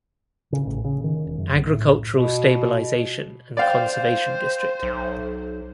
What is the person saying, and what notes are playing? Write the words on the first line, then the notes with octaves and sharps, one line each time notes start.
Agricultural Stabilization and Conservation District.
C#3
A1
C#3
D#3
E1
F#2
B1
A2
B2
C5 D5 F5 G5
B1